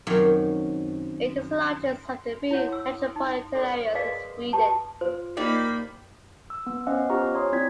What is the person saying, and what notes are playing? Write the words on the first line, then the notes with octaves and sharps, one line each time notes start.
It is the largest of the three metropolitan areas in Sweden.
F#2 C3 D#3 C4 C#5 F5
E4 C#5 F#5
E6
D#4
A4 C5 D5
G#4 A#4 B4 D5 D#5 F5
G4 B4 A5
F4 C5
A#3 D#4 G4 D5 B5
E6
B3
B3 C#4 C5 D#5 F5 F#5
F4 G4 C5 A#5 C#6 F6
C#5 G#5 A#5 C6 D#6
C4 E4 D5 G#6 B6